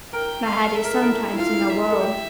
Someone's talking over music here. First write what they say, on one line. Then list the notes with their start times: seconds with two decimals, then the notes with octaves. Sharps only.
My head is sometimes in a whirl.
0.13 A#4 G5
0.45 F5
0.75 A4 E5
0.84 A#4
0.93 A4
1.02 A#4
1.11 A4
1.33 E4
1.37 F4 F5
1.54 E4
1.70 E5
1.91 A4
2.00 G4